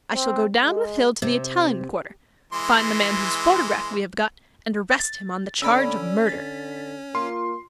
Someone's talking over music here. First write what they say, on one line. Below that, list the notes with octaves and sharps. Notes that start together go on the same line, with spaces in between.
I shall go down with Hill to the Italian Quarter, find the man whose photograph we have got, and arrest him on the charge of murder.
C4
G#3
C3
E3 G#3 C6
A6
D3 C#4 D5 B5 E6
D3 A6 B6
A#3 F4 C6